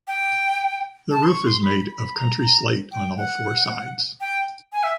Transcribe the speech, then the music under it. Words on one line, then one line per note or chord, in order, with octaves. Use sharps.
The roof is made of country slate on all four sides.
G5
A5
C6
C#6
C6
B5
B5
B5
A#5
A#5
G5
F#5
G5
G#5
E5